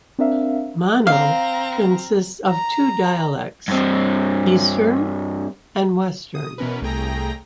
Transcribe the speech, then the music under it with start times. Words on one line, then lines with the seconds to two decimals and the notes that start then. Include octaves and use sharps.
Mono consists of two dialects, "Eastern" and "Western".
0.19 C4 D4 A#4 E5 F5
1.07 C4 F5 A#5
2.49 A#5
3.68 G2 C4
6.35 D#6
6.58 B2 E3 B3 C#4 A#4 B4
6.82 C2 A3 G#4 G5 A#5 A#6